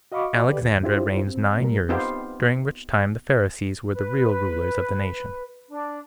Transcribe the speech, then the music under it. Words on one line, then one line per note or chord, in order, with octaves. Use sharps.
Alexandra Reigns Nine Years, During Which Time The Pharisees Were The Real Rulers Of The Nation.
F#4 D#5 F5 B5 C#6 D6
G4 A4 B4 D5
D#2
D4 E4 F4 G4 C5
C4
A#2 G3 A#3 A#4
B3 C4 D#4 F4 G4 C5
B4
D4